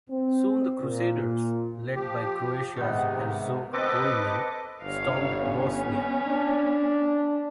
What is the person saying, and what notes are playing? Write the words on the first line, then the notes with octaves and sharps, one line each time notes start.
Soon the Crusaders, led by Croatia's Herzog Coloman, stormed Bosnia.
C4
A#2
F3 G4
G#2 C3 D#3 B3
C4 A4 B4 D#5 D6
G1 C#5 F5
B3 C#4
D4